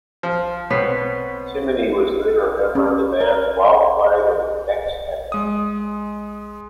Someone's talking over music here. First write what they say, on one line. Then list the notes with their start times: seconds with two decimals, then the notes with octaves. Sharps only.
Timony was later a member of the bands Wild Flag and Ex Hex.
0.23 F3
0.70 B2 B3 C4 C#5 B6 C7
2.75 C#4
3.21 A#4
5.32 G#3 D#6